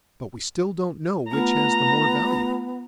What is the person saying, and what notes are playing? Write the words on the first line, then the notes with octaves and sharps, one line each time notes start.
But we still don't know which has the more value.
A3 B3 F4 A#5